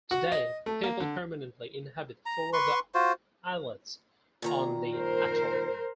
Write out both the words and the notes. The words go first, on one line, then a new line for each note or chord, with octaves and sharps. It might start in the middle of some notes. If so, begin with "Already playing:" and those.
Today, people permanently inhabit four of the islets on the atoll.
F#4
D#5
A3
A#3
D3
A#5
B4 C6 C#6
F4 F#4 C5
A#2 D#3 A#5
A#4 C5